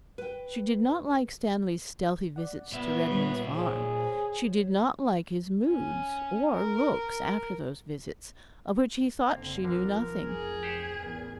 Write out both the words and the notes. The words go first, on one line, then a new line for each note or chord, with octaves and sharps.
She did not like Stanley's stealthy visits to Redman's Farm; she did not like his moods or looks after those visits, of which he thought she knew nothing.
B4 G5
D5 F#5
A#2 B3 E5
G3 B4 C#5
G#4 C5 C#5
C#4
A#4
F#1 D3 A#3 C4
B1 D3 F3 A#4
F1 G#4
G4 C5 F#5
A1 E2 A#4